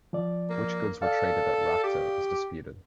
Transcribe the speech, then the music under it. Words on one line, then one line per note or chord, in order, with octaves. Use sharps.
Which goods were traded at Rhapta is disputed.
F3 D5
A#3
A4 D5 F5
G4